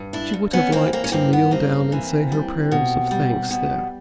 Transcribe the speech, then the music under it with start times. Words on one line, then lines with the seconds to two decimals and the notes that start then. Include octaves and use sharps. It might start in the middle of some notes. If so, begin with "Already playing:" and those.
She would have liked to kneel down and say her prayers of thanks there.
Already playing: G2
0.13 D4 E4
0.34 G2
0.53 B3 C#4
0.72 E3 A#3 C4
0.93 A#3 C4
1.04 C#4
1.12 G2 A#3 C4
1.33 B3
1.51 G2 A#3 C4
1.92 E3
2.32 G3
2.71 B2
3.11 G3
3.51 B2